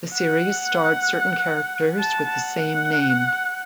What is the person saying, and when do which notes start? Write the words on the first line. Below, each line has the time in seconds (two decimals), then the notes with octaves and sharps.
The series starred certain characters with the same name.
0.16 F#5
1.99 A5
2.30 F#5